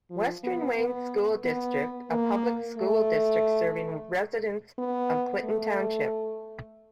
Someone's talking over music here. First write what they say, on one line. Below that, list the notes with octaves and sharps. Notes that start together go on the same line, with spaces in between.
Western Wayne School District a public school district serving residents of Clinton Township.
F3
B3
B3
B3
A#3
A3
B3
A3